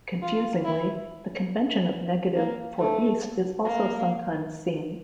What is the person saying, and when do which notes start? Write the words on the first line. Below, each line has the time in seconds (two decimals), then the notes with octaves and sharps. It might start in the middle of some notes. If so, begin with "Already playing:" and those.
Confusingly, the convention of negative for East is also sometimes seen.
0.22 F4
0.65 E4
2.36 A#3
2.79 A3
3.65 A#3